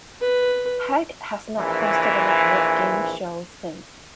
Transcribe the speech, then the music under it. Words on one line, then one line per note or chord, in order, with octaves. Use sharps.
Peck has not hosted a network game show since.
B4
A#1 E3